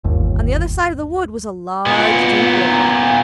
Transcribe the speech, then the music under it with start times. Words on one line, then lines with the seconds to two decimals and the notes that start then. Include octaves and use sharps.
On the other side of the wood was a large deep river.
0.04 G1 D#2
1.86 A#2 B3